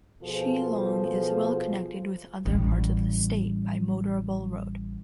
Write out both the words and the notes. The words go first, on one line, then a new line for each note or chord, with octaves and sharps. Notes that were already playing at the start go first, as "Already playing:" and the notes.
Shillong is well connected with other parts of the State by motorable road.
B2 F3 F4 G#4 A4 C5
A1 G3